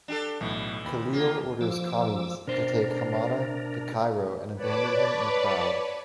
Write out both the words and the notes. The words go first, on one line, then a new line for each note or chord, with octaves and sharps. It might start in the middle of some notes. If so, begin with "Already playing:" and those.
Khalil orders Khamis to take Hamada to Cairo and abandon him in the crowd.
D4 G4 A4
B1 A2 E3
D#2 B5
A#3 F4
F3 D6 E6
B2 D4 A#4 C5
B4 C#5 D5 A5 B5 D6